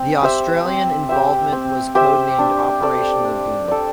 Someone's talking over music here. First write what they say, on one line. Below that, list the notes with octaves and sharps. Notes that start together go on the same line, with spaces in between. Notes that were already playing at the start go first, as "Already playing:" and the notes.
The Australian involvement was codenamed Operation Lagoon.
Already playing: C4
G4 C5 E5
C4
G4 C5 E5
C4
G4 C5 E5
D4
A4 D5
D4
A4 D5